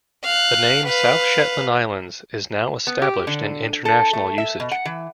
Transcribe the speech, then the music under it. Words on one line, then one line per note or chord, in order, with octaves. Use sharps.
The name South Shetland Islands is now established in international usage.
F5 F#6
B4 F5
B3
G4
D3
A4
A3
E5
B2
F#5
E3